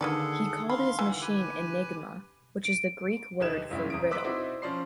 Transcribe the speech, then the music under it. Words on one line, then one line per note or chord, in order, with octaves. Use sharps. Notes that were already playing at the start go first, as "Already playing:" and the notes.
He called his machine Enigma, which is the Greek word for "riddle."
D3 D#3 A#3 G#4 A4 B4 D5 F#5
F5 B5 C6
E3
G4 B4 G#5
D7
D2 D#4 G4 B4 G#6 E7
F#1 C2 C#4 E4
D#1 D#6 D7
B4 C5 D6 E6 B6
C4 D#4 E4 F#4 C5 D5
F3 C#4 C5 D5 C6 C7